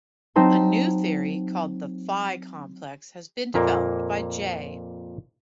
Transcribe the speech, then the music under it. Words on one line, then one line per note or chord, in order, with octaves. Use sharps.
A new theory called the phi complex has been developed by J.
F#3 C4 D#4 C5 A5 C6
F2 A#2 A#3